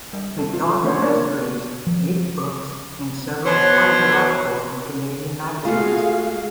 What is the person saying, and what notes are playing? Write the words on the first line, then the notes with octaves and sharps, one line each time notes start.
MacDonald has produced eight books and several hundred articles in Canadian magazines.
G3
A4
F4
A3 C#4 D4 C5 C#5
A#3 D4 C#5 D5
F3
B2 F#3 C5 C#5
G#3 A3 F4 F#4 G#4 F5